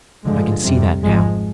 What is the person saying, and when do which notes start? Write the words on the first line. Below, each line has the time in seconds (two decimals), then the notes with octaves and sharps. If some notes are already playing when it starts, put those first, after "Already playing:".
I can see that now.
0.25 G2 D3 F3 G#3
0.64 F2 C3 G3
1.03 G#1 G#2 F3 G#3